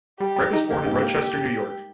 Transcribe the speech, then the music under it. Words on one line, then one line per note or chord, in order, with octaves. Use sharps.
Breck was born in Rochester, New York.
G3 G4
G3
D#4
A#3 G4
G#2
A#3